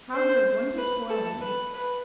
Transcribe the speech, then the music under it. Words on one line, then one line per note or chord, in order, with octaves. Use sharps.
How you are going to spoil me!
C5
B4
A4
B4
B4